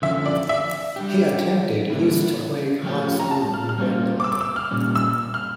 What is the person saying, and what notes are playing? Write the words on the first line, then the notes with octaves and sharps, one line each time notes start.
He attended East Wake High School in Wendell.
D3 F3 C#4 E4 E5
D5
E5
G3 D4 G4
D3 G3 A#3 E4
F3 A3 C#4 G4
A#5
A5
F6
F6
G3 A#3 C#4 F4
D6
E6
D6
E6
F6
A#2 G3 C#4
E6
F6